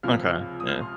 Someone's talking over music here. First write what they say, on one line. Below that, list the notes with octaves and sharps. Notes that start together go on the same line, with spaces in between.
Okay. Yeah.
C#2 C3 F3 F6
D#6
F6
C6